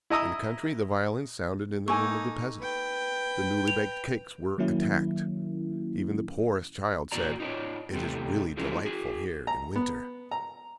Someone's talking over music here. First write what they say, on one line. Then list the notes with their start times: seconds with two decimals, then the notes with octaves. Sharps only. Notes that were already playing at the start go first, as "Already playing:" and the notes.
In the country the violin sounded in the room of the peasant; the newly-baked cakes were attacked; even the poorest child said, "It is really delightful here in winter!"
0.10 E4 D#5 A#5 D#6 E6
1.88 A#3 D#4 A4 G#5 C#6
2.60 B4 G5
3.68 F7
4.58 D#3 F#3 A#3 C#4 E4
7.12 E2 A#2 F#4 D5 A#5
7.40 D#4 F4 B4 C#5 D5
7.92 G2 C3 G3 A3
8.57 E3 F3 G#3 A3 C#4
8.86 F#4 G#4
9.47 A#5
9.76 B3
10.31 A#5